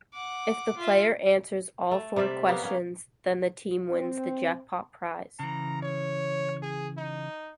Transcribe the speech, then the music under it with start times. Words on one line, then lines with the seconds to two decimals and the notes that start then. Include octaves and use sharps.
If the player answers all four questions, then the team wins the jackpot prize.
0.14 F#5 D6
0.77 F4 E5
1.91 A3
2.16 C3 G3 D5 E5
2.48 G3 A#3 B3
2.62 A#3 C#4
3.91 C4
5.39 C#3 E3 A#5
5.83 C#5
6.62 G#4
6.98 D#4